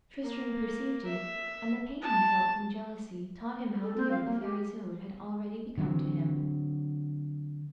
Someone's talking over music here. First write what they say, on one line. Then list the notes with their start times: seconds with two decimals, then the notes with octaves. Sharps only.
Tristram perceived it, and the pain he felt from jealousy taught him how dear the fair Isoude had already become to him.
0.23 A#3
1.06 E5
2.02 A5
3.82 A4
3.96 C4
4.11 F5
4.25 A#3
4.40 G4
5.78 D3 F#3 G#3 C4